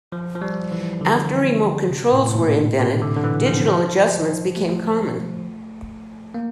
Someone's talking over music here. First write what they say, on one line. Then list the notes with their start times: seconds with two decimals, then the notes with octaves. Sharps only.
After remote controls were invented, digital adjustments became common.
0.12 F3
0.35 F3
0.42 G3
0.72 E3
1.01 D3
1.90 C3
2.12 A2
2.27 A2
2.35 A#2
2.79 C3
3.02 D3
3.17 D3
3.24 E3
3.46 F3
3.68 F3
4.57 A3
6.34 A#3